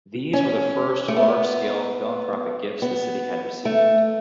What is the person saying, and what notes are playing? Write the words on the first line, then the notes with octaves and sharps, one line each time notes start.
These were the first large-scale philanthropic gifts the city had received.
C#4
A3
B3
B3
A3